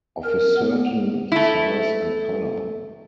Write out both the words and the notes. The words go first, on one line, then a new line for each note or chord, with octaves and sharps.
Of a certain size and color.
A#4
B3
A3 E4